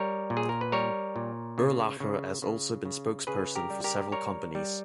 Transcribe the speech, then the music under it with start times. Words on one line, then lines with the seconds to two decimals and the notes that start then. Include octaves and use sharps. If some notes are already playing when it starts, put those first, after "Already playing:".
Urlacher has also been spokesperson for several companies.
Already playing: G3 A#4 C#5
0.30 A#2
0.37 G#4
0.49 A#4
0.61 B4
0.72 G3 A#4 C#5
1.16 A#2
1.58 C#3
2.00 C#3
2.42 C#3
2.85 C#3
3.27 C#3 G#4 B4
3.56 G4 A#4
3.70 G3
3.84 G4 A#4
4.12 G3 A#4 C#5
4.55 G3